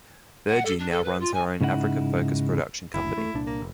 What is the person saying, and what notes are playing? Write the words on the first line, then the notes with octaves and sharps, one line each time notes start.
Verjee now runs her own Africa focused production company.
F#5
A4
D4
A4
B4
F4
G#5
G#2 C#3 D#4 E4 F#5
F#1 D2 E4
A3
C2 A#2 D4
A#3
F1